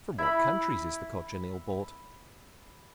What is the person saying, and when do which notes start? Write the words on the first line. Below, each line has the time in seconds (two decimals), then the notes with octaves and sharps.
From what countries is the Cochineal brought?
0.18 E4 B5